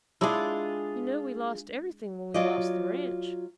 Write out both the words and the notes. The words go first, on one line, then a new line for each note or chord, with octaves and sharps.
You know we lost everything when we lost the ranch.
G#3 D4 E4 F4 G#4
F#3 F4 D5 D#5